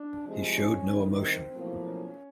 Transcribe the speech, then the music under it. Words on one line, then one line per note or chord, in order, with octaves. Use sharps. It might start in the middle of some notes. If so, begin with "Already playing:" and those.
He showed no emotion.
Already playing: D4
C2 C3 F3 G#3
C#4
C2 C3 D#3
C4
B1 A2 F3 A#3
C#4